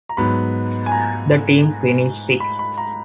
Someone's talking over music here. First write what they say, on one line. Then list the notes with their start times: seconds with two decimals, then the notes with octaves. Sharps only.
The team finished sixth.
0.09 A#5
0.17 G#2 F#3 B3 B5
0.86 G#5
0.92 A#5
2.40 B5
2.59 B5
2.77 A#5